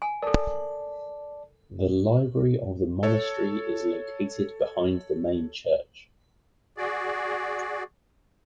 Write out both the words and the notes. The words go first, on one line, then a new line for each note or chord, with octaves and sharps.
The library of the monastery is located behind the main church.
G#5
A4 A#4 D5 A5
A4 C#5
F#4 G#4 D5